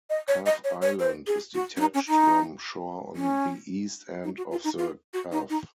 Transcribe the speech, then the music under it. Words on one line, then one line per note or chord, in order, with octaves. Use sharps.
Cove Island is detached from shore on the East end of the Cove.
D#5
C#5
D#5
C#5
C#5
C5
G#4
F#4
C#4
D#4
C#4
D#4
C#4
D#4
F#4
F4
D#4
F4
F#4
D#4
D#4